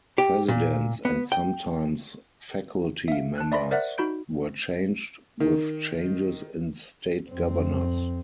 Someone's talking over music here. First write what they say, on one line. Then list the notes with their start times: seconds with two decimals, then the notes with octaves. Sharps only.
Presidents and sometimes faculty members, were changed with changes in state governors.
0.18 G4
0.48 A#2
1.05 B3
1.32 G5
3.08 E5 F5
3.38 A5 F#6
3.52 D5 E5 B5 C6 A#6
3.71 A#4 C5 D5 E5 F#5 F#6
3.98 D#4 F#4 B5 G6 D7
5.40 D#3
7.30 F2 C4